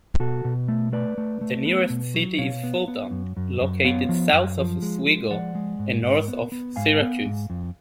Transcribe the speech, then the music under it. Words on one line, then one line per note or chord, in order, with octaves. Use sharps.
The nearest city is Fulton, located south of Oswego and north of Syracuse.
B2 F#4 A4
B2
A3
A3 B4 D5
A3
A3
B3
B2
F#3
B2 C#5 F5
B3
B3
F#2
F#2
F#2
B3 C#5 F5
F3
F#2
F3
G#3
G#3
F3 D5 F#5
G#3
G#2
G#2
B3
B3
G#2 F5 G#5
B3
G#2
F2